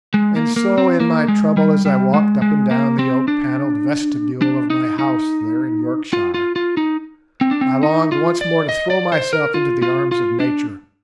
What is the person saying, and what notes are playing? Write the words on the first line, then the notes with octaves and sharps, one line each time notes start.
And so in my trouble, as I walked up and down the oak-panelled vestibule of my house there in Yorkshire, I longed once more to throw myself into the arms of Nature.
G#3
A#3
A#3
C4
A#3
G#3
G3
G3
G#3
G#3
A#3
C4
D4
D4
D#4
D#4
F4
F4
F4
D#4
C4
D4
C4
D#4
F4
D5
D#5
D5
C5
A#4
F4
F4
F4
D4